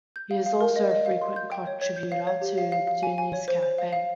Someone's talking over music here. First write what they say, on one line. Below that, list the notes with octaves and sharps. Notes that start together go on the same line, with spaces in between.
He is also a frequent contributor to "Dooney's Cafe".
G6
F5
F5
A#4
D#5
D#5
F5
C6
G6
G5
C#5
C#5
G6
F5
C#5
G4
F5
F5
F5
G#5
G#5
C#5
C5
C5
F5
F5